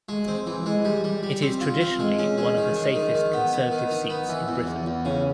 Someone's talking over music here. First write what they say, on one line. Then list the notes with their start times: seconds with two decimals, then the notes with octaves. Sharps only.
It is traditionally one of the safest Conservative seats in Britain.
0.09 G#3
0.28 C4
0.47 E3
0.66 G#3
0.85 G3
1.04 G3
1.23 G3
1.42 C4
1.61 F4
1.81 C4
2.00 G#3
2.19 C#4
2.38 G#3
2.57 D#3
2.76 G#3
2.95 D#3
3.15 D#3
3.33 B3
3.52 B3
3.72 D#3
3.91 D#4
4.10 B3
4.29 E3
4.48 E2
4.67 E2
4.87 E2
5.05 C#3